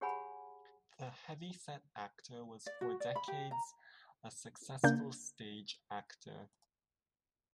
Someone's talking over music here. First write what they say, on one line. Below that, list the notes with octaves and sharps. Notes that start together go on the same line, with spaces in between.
The heavy-set actor was for decades a successful stage actor.
G4 G#4 C#5 F#5 G#5 B5
D5
F#4
D5
B5
G4
A#5
C#3 A#3 D4 G6